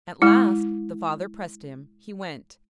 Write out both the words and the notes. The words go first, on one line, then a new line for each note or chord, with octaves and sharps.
At last--the father pressed him--he went.
G#3 E4